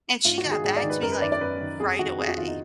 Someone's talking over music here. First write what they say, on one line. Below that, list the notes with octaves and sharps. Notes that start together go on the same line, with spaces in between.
and she got back to me, like, right away
G#2 F4
F#4
D#3
G#4
G#2 G#4
D5
D#3
B4
F#2 A#4
B4
D#3 D5
D5
F#2 B4
D#3
F2 G#4
D#3 F#4
F2 G#4
F#4
D#3 F4
D#4